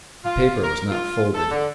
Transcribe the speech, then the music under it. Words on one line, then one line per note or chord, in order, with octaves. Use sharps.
The paper was not folded.
F4
A#4
F4
A4
D3